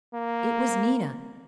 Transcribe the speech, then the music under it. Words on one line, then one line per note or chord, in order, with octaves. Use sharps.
It was Nina.
A#3